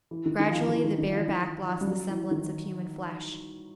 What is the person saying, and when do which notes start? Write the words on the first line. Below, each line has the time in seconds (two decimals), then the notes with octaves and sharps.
Gradually the bare back lost the semblance of human flesh.
0.11 E3
0.26 D#3
0.40 D#3
0.50 F3
0.54 E3
0.63 F3
0.69 E3
0.84 D#3
0.98 D#3
1.09 F3
1.13 E3
1.28 D#3
1.65 F3
1.81 G3
1.87 F#3
2.09 E3
2.31 D#3